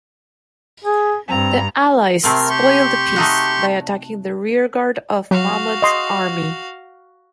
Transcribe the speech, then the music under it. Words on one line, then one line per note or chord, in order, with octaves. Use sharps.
The allies spoiled the peace by attacking the rearguard of Mahmud's army.
G#4
G2 C4 A#5
C3 A3 C4 A#4
G4 C6 C#6
A3 D#4 F#4
F#3 F#4 F5
D#5 C6